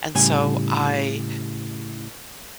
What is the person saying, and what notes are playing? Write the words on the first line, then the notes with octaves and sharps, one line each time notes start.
and so, I
A2 C#3 G3 G#5